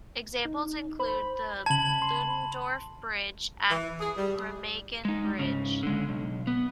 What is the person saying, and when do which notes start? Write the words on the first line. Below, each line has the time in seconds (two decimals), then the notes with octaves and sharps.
Examples include the Ludendorff Bridge at Remagen bridge.
0.45 D#4
0.99 C5 B5
1.66 C#3 A5 G#6 F#7
2.02 C6
3.70 E3
4.00 G#4
4.17 G3
5.05 G#3 D#4
5.39 G#2 C#3
5.83 D3 G#3
6.09 B1
6.47 B3